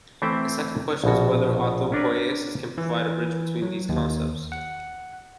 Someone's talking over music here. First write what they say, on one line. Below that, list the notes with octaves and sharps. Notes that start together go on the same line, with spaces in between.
A second question is whether autopoiesis can provide a bridge between these concepts.
E3 A3 C4 E5 G5
A#1 B2 F#4
C#4 D4 A#4 B4
E3
F#3
D#2
F#5